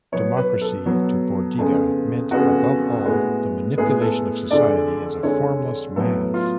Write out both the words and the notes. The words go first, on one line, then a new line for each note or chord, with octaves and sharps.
Democracy to Bordiga meant above all the manipulation of society as a formless mass.
B2 F#3 B3 C#5
B4
A4
B2 F#3 B3
F2 C#3 G#3 B3
F2 C#3 G#3 B3 F#4
A2 G#3 B3
A2 G#3 B3 G#4
A4
F2 D3 G#3 D5
F2 D3 G#3 C#5
A2 F#3 B3 A4
F4